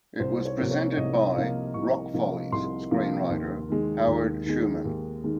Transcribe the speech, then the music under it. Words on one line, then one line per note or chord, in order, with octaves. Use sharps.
It was presented by "Rock Follies" screenwriter Howard Schuman.
C2 C5
C#5
C3 F3 A#3
C#5
C#5
C2 D#5
C3 F3 A#3 F5
C2 C#6
C3 F3 A#3
C2 C6
C3 F3 A#3
D#2
D#3 G#3
D#2
D#3 G#3
D#2
D#3 G#3